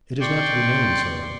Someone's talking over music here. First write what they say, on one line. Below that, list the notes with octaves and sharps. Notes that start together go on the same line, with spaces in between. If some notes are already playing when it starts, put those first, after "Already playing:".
'It is not to be known, sir.
D5 G5 C6 C#6